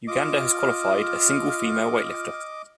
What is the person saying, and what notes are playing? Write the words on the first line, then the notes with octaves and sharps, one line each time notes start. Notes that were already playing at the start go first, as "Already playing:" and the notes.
Uganda has qualified a single female weightlifter.
F4 D#5 D6 F6